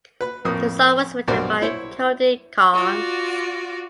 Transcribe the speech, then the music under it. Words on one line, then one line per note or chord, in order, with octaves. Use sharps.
The song was written by Cody Carnes.
B4 B5
F2 A2 A#3 D#6
B1 G2 F#4 A#4 C5 D5
E4 C5 C#5
F4 F#4 D5